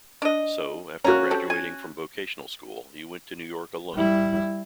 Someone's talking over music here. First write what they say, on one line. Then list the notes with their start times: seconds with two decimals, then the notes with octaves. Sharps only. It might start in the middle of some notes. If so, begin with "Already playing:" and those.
So, after graduating from Vocational School he went to New York alone.
0.22 D4 D#5
1.04 A#3 C#4 F#4 A#5
1.31 C4 G4 A4
1.50 G#5
3.95 G3 E4